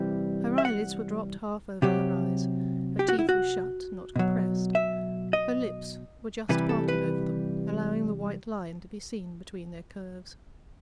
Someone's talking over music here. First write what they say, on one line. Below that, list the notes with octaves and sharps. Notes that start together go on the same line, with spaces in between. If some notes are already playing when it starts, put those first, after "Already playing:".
Her eyelids were dropped half over her eyes; her teeth were shut, not compressed; her lips were just parted over them, allowing the white line to be seen between their curve.
Already playing: C3 E3 G3 G4
E5
F#5
C3 F#3 G4
G4
F#4
E4
F#4
B2 F#3
E5
D#5
C3 E3 G3 B4
A4
B4